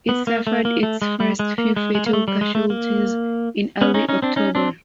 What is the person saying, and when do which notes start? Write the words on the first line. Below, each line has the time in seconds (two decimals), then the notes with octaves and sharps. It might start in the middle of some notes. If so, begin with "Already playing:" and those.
It suffered its first few fatal casualties in early October.
0.09 B3
0.27 A#3
0.47 A3
0.65 A#3
0.83 A3
1.02 G#3
1.20 G3
1.39 G#3
1.58 A#3
1.76 G#3
1.95 G#3
2.06 A#3
2.13 A3
2.28 G3
2.41 G#3
2.55 A3
2.70 A#3
3.81 B3 C#4
3.94 C#4 D#4
4.09 C#4 D#4
4.22 C4 D4
4.36 C#4 D#4
4.55 C4 D4